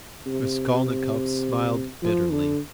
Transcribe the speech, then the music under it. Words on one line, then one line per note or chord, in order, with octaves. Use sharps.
Raskolnikov smiled bitterly.
C3
C3
F3
D3